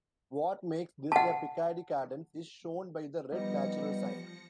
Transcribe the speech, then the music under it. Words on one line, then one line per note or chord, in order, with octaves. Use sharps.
What makes this a Picardy cadence is shown by the red natural sign.
F#5 A5
F3 G3 B3 D#4 A#6 C#7